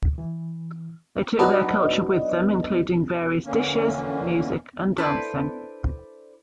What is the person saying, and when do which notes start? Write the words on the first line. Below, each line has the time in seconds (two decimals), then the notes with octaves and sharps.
They took their culture with them, including various dishes, music and dancing.
0.18 E3
1.39 F#3 B3 D4 D#4 B4 D#5
3.45 F2 D3 E3 A#3 C#4
4.98 D4 E4 A4 B4 C5 D5